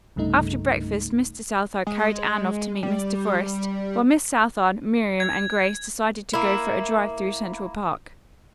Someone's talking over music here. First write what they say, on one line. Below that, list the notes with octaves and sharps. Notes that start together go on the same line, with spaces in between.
After breakfast Mr. Southard carried Anne off to met Mr. Forest, while Miss Southard, Miriam and Grace decided to go for a drive through Central Park.
C2 G2 C#3 A3 D#4
G#3
G3
G#6
A#3 E4